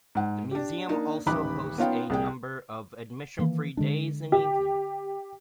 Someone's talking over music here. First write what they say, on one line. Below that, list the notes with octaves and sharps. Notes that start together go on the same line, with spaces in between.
The Museum also hosts a number of admission-free days and evenings.
G#2 F#5
D4 G4
A#3 D4 D#4
D#1 A1 D#4 B5 D6 F#6
B3 C#4 D#4 F4 F5 G5
C2 G#4 G5
D#3 E3 A#3
D3 G#3 D4
G4